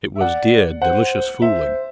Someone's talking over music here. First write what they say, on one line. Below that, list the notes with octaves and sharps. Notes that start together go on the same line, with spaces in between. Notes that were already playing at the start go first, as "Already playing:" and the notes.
It was dear, delicious fooling.
E5
D5 F#5
C5 F#5
C5 E5